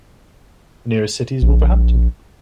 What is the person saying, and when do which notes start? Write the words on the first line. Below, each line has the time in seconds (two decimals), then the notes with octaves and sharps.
The nearest city is Wolverhampton.
1.42 A#1